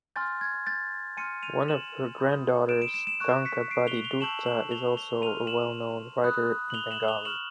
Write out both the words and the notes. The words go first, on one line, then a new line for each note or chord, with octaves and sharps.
One of her granddaughters, Kankabati Dutta, is also a well-known writer in Bengali.
G#5 C6 F6 G6 A6
G#6
G6 A6
G#5 C6 F6 C#7 D#7
D#7 F7
E7 F#7
B5 D#6 G6
D7 E7
D7 E7
D7 E7
D7 E7
C#6 F#6
B6 C#7
C7 D7
F7 G7
F7 G7
A5 C#6 E6 G6 E7 F#7
E7 F#7
F7 G7
F7 G7
C6 F6 D#7 F7
E7 F#7
B5 D#6 F#6
F#7
F7 G7
E7 F#7
F7 G7
C#6 F6 E7 F#7